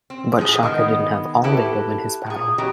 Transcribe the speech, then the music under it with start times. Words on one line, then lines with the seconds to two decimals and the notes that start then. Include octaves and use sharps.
But Shaka didn't have all day to win his battle.
0.10 C4
0.38 A2 F3 G#4
0.63 D#3 G#3 B3
1.44 E4 F#4 G4 A4 B4 E5
2.26 A#2 G#4
2.58 B2 E3 F#3 G4 A#5